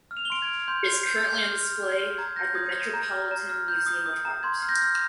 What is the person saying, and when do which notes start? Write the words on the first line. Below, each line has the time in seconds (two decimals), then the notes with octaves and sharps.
It is currently on display at the Metropolitan Museum of Art.
0.11 F6
0.17 F7
0.25 G7
0.30 C6 D7 F7
0.42 G#6
0.48 F6
0.68 C6 G6
0.87 C6
1.06 G6
1.23 G6
1.42 F6
1.61 F6
1.80 F6
2.00 F6
2.17 A#5 G#6
2.36 G6 A#6
2.55 D#6 G#6
2.74 D#6 G#6
2.94 A#5 G6
3.11 F6
3.31 A#5
3.49 F6
3.68 G6
3.86 D#6
4.06 D#6
4.25 A#5
4.43 C6 G#6
4.62 F6
4.69 G6 A#6
4.82 F6